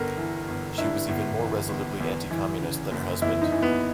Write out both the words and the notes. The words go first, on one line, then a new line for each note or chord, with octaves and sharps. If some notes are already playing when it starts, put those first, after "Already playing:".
She was even more resolutely anti-Communist than her husband.
Already playing: G1 G2 A4 A#4
E3
G1
G2 E4
G1
E3
G1
E2
E3
C#3
F#1
E2 E4
D#4
E3
B3